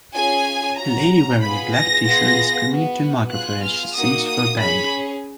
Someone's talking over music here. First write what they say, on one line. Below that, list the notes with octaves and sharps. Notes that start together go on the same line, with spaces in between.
A lady wearing a black tshirt is screaming into a microphone as she sings for a band.
C#4 F4 G#4 G#5
C#4 F#4 A#5
B3 F4 G#4 B5
A#6
B3 F4 G#4 A#6
B3 F#4
B3 F4 G#4 F#6
F6
A#3 D#4 F#4 D#6
D#6
C#4 G#4 B5